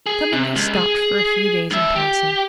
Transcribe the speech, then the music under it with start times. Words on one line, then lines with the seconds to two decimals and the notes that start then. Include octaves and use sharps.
Some of these stopped for a few days in passing.
0.06 G#4
0.32 C3
0.55 C#2
0.75 G#4
1.71 G#2 E5
1.96 G4